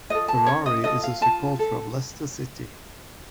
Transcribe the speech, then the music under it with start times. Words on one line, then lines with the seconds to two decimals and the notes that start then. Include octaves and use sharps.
Ferrari is a supporter of Leicester City.
0.10 F4 A4 D#5
0.28 A5
0.47 C#4 C#5
0.66 D#5
0.84 F4 A4 D#5
1.04 F5
1.21 F4 A5
1.59 A4